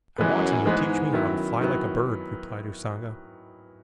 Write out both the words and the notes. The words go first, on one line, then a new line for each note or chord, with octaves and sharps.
"I want him to teach me how to fly like a bird," replied Usanga.
F#2 E3 G#3 B3
G#2 E3 G#3 B3
F#2 D#3 F#3 B3 E4
D#3 F#3 B3 E4